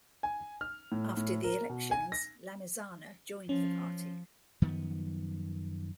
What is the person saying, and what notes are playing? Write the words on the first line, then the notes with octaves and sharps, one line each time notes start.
After the elections Lamizana joined the party.
G#5
F6
A2
A2
A#4
B2
G#5
A#6
F3 C#4
F#2 D#3 F3 B3